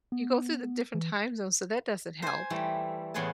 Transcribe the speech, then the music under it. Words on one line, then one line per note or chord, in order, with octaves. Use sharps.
You go through the different time zones, so that doesn't help.
B3
E3
C5 G#5
E3 G3 A3
E2 A2 B3 G#4 G#5 A5